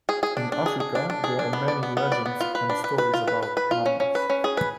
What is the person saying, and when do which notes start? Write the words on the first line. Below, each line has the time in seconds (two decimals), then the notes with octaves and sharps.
In Africa there are many legends and stories about mambas.
0.09 G#4
0.23 G#4
0.37 D4
0.52 D4
0.66 G#4
0.80 G#4
0.95 D4
1.10 D4
1.24 G#4
1.39 D4
1.53 B3
1.68 D5
1.83 B3
1.97 B3
2.12 D5
2.26 B3
2.40 F4
2.55 B4
2.70 D4
2.84 B4
2.98 B4
3.14 F4
3.28 B4
3.43 B4
3.57 B4
3.71 F4
3.86 C#4
4.00 C#4
4.15 B4
4.30 C#4
4.44 G#4
4.57 B4